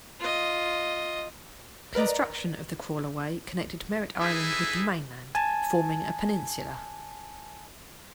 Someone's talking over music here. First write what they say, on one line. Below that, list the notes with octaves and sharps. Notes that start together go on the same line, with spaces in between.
Construction of the Crawlerway connected Merritt Island with the mainland, forming a peninsula.
F4 D#5
A#4 B4 D5 D#5 A#5
D#4 E4 G#4 A4 B4 E5
G#5 A5